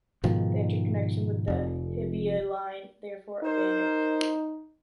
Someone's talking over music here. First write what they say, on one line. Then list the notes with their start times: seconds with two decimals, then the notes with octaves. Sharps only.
The interconnection with the Hibiya line is therefore abandoned.
0.24 G#2 B2 D#3 F3
1.48 F1 F2
3.44 D#4 A#4 C5